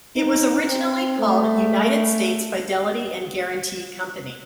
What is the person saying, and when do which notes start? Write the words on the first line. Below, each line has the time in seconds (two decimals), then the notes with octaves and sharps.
It was originally called United States Fidelity and Guaranty Company.
0.17 D#4
0.68 C4
1.20 A3